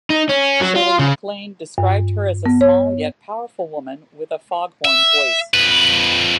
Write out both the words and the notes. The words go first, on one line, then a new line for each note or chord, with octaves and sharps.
Shirley MacLaine described her as a small, yet powerful woman with a foghorn voice.
D#4
C#4
F#3
F4
C#3
G2
B3
C#5
E5
F2 B4